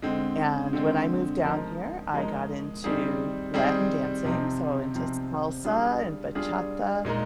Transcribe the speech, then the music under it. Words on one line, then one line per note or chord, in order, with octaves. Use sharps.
and when I moved down here, I got into Latin dancing, so into salsa and bachata
D3 G#3 C4
D3 G#3 C4
F3 G#3 D#4 A#4
F3 G#3 D#4 A#4
D#3 G3 C4 D#4 G#4
D#3 G3 C4 D#4 G#4
C3 F3 C4 D#4
C3 F3 C4 D#4
G3 D4 F4 G#4
G3 D4 F4 G#4
A#2 G#3 D#4 A#4